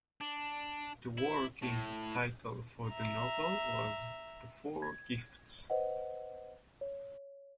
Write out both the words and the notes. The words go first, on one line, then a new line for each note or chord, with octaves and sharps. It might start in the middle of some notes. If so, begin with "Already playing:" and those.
The working title for the novel was "The Four Gifts".
D4
E4
A2
E5 A#5
G#6
B4 C5 D#5 F#5
C#5